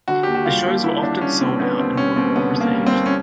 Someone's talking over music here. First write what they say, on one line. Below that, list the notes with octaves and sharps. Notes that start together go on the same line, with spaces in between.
The shows were often sold out and were well received.
D3 F#4
D#2 G4
F#4
G3 F4
D#2
D3 E4
D#2 D4
G3 C#4
D#2 C4
D3 B3
D#2 C4
G3 C#4
D#2 C4
D3 B3
D#2
A#3
G3
C4
D#2
C#4